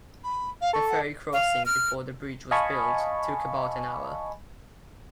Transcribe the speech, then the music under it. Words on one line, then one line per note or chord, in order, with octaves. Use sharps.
The ferry crossing before the bridge was built took about an hour.
B5
F5
A4 C#6
F#5
F5
F6
D#5 F5 G#5 A5 B5 C#6